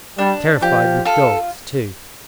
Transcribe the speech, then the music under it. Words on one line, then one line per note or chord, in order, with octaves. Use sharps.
Terrified with dogs too!
G3 D4
F3 G4
F4 A4